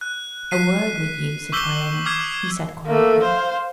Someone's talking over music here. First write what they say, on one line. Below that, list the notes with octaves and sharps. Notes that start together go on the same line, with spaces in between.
"A word with you, citoyenne," he said quietly.
F#6
F#6 B6 C7 D#7
C#6 D6 E6 G6 B6 G7
D6 D#6 F6 G#6 C7
A3 A#3
C5 F5